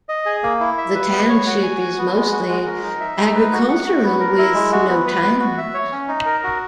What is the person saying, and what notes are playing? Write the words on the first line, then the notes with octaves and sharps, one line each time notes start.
The township is mostly agricultural with no towns.
D#5
G#4
A#3
E4
E5
B4
B3
C#5
F#4
G#5
F#4
B3
G#3
F#4
G#3
A#4
D#4
E5
D#4
B4
F#4
F#5
F#4
B3
A#4
E4
G#3
F#4
B3
B4
B3
F#4
E5
C#5
C#4
D#4
A#4
F#4